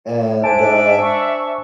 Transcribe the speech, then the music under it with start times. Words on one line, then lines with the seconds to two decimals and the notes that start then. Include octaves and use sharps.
and, uh,
0.44 D4 C5 E5 G#5 A5 D7
1.02 C#6